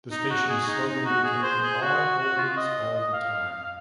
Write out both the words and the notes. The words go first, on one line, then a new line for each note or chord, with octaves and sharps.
The station's slogan became "All Oldies, All The Time".
D#4
F#4
G#4
D#4
D#4
F#4
G#4
C5
G#4
F#4
F#4
F4
D#5
D#5
F5